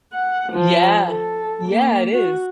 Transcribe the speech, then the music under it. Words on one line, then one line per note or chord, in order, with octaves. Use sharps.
Yeah. Yeah, it is.
F#5
F3
A4
A#3
F#4